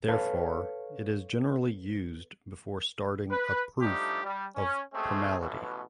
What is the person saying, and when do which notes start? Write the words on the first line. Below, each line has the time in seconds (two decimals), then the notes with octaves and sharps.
Therefore, it is generally used before starting a proof of primality.
0.08 A4 B4 C#5 F5 A5
3.30 B4
3.81 F3 G3 A3 D4 D#4 G4
4.24 G3
4.56 C#4
4.93 G#3 A3 C4 C#4 G4 G#4
5.39 A1 B2 E3